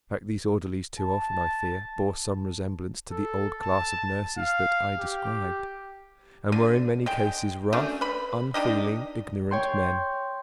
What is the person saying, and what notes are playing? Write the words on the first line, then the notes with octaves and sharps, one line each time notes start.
In fact, these orderlies too often, I fear, bore some resemblance to the old class of nurses that I described, and were in many cases rough, unfeeling, ignorant men.
A5
A4
A5
F5
G4
D3
G#3 G5
A3 C#4 D4 F#4
B4 B5
D4 D#4 G4 D#5
C#5 G5 C6